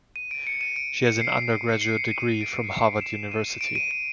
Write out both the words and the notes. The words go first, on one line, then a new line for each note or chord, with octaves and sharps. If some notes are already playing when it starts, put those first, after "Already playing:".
She has an undergraduate degree from Harvard University.
D#7
D7
C#7
D#7
D7
C#7
C7
C#7
C7
C#7
D#7
D7
E7
D#7
D7
D#7
D#7